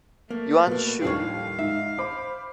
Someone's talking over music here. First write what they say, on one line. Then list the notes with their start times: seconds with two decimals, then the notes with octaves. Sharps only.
Yuan Shu.
0.31 A3 A#3
0.67 B2 A#3 B4
1.02 D#2 A2 F3 G3 D4 C#5 F5
1.59 G#2 D#4 E5
1.98 C5 B5 D6